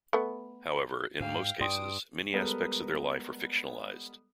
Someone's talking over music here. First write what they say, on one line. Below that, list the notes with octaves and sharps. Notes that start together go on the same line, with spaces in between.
However, in most cases, many aspects of their life are fictionalized.
A3 B3
G#2 F5 G5
G2 D5 G5 C6 D#6 D7
G3 G#3 B3 A4 A#4